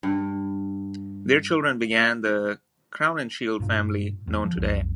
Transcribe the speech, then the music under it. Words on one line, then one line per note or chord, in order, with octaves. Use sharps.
Their children began the Crowninshield family known today.
G2
G2 A#2
E2
F3
B1 F2